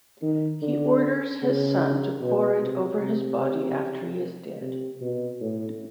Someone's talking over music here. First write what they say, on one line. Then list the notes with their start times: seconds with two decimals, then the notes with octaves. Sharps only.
He orders his son to pour it over his body after he is dead.
0.22 D#3
0.62 D3
1.42 C#3
2.22 B2
2.61 C3
3.02 C3
4.61 C3
5.01 B2
5.41 A2